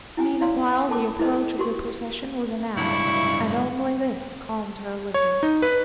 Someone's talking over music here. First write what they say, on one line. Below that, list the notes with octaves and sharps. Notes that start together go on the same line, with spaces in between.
Meanwhile the approach of the procession was announced, and only this calmed her a little.
E4 G5 G#5
E4 C#5 D5 F5 C6
A4 A#4 A5 D6
E4 G#4 A4 B4 C5 D#5
F#4 G4 A#4 C6 C#6
C#2 G2 E4 C#6
C#5
D#4
B4